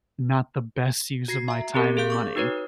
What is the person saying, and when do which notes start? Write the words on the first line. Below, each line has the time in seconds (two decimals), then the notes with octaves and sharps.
not the best use of my time and money,
1.28 F#4 A#6 C7
1.48 E5 A#5
1.74 C4 G4 A#4
1.97 G#4 A4 F5 G6
2.10 C#6 D6 G6
2.36 D#4 F#4 B4 C#5